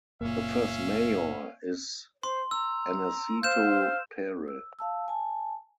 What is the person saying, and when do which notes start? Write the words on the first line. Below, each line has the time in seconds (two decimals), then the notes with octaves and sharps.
The First mayor is Aneceto Pere.
0.21 F#1 A#2 A#3 C#4 E5 F5
2.23 C5 C6
2.51 A#5 E6
3.43 C5 F5 G6 E7
4.48 E6
4.79 F5 A5 E6
5.08 G#5 A5